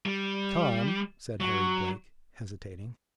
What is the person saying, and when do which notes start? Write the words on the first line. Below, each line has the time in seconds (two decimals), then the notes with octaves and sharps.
"Tom," said Harry Blake, hesitating.
0.06 G3
1.40 F#3